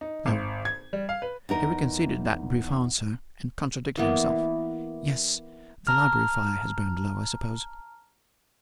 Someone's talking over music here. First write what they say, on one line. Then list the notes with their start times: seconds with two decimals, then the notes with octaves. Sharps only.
"No." He reconsidered that brief answer, and contradicted himself. "Yes--the library fire has burned low, I suppose."
0.01 D#4
0.26 G#1
0.65 G#6
0.93 G3
1.09 F5
1.22 B4
1.49 E2 D#4 A#4
3.97 E3 A#3 B3
5.87 A5 A#5 F6